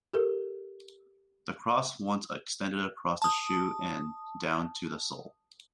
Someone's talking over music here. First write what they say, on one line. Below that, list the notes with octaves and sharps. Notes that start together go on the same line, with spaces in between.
The cross once extended across the shoe and down to the sole.
G4 A4 A#4
A5 D#6